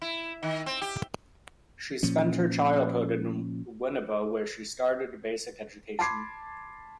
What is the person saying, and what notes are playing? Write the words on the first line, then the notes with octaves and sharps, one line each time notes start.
She spent her childhood in Winneba where she started basic education.
E4
D#3
C4
G4
A#2 F3 C#4
A5 B5 C6 D6 G#6 C7